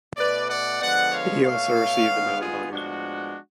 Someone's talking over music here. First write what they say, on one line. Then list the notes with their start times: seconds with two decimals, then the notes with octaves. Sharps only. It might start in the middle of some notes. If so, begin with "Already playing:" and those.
He also received the Medal of Honor.
0.17 B2 A3 B4 D5
0.49 D5 F#5
0.81 D3 F3 G#3 B3 D5 F#5
1.12 C#5 F5
1.44 B2 A3 C#5 F5
2.08 D3 G#3 B3
2.40 F4 G#4
2.71 A2 F3 G#3 B3 D4 F#4